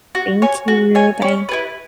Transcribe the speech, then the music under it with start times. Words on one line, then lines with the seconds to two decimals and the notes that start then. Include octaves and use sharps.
Thank you. Bye.
0.15 F#4
0.42 C#5 G#5
0.68 F#4
0.95 C#5 G#5
1.22 C#4
1.49 E4 G#4 B4